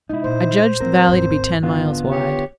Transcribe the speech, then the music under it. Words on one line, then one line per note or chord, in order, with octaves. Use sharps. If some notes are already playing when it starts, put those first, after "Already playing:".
I judged the valley to be ten miles wide.
C3 G#3 D#4 E4
A#2 C5
A2 E3 C4 A#4
G#1 D#2
D3 B3 F4
G4 C#5